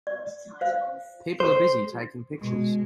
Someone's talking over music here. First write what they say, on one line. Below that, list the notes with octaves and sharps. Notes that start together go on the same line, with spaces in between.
People are busy taking pictures.
D5
C5 F5
A4 C5
B2 G#3